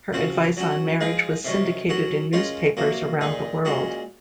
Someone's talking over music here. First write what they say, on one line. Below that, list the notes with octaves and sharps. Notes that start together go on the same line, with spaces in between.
Her advice on marriage was syndicated in newspapers around the world.
C#3 F3 C4 F#4
F#3 C#4 F#4
F3 G#3 D#4 G#4
C3 D#3 F#3 C#4
F#3 C#4 F#4
G#3 C#4 F4 A#4 C#5
C3 F#3 A#3
A#2 G#3 D#4
A#2 G#3 C#4 F#4